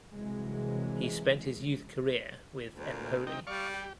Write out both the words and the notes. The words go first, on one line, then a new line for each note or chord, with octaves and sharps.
He spent his youth career with Empoli.
C2 C3 E3 F#3 G#3
D2
A#2
C3 D#4 G5
G3 D5 F5 C#6
G4